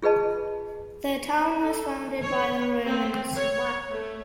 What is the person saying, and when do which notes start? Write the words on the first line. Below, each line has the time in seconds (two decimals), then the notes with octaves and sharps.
The town was founded by the Romans.
0.02 F4 G#4 B4 D#5 A5
1.61 A4
2.22 C#5
2.86 C4
3.35 C#5
3.92 A3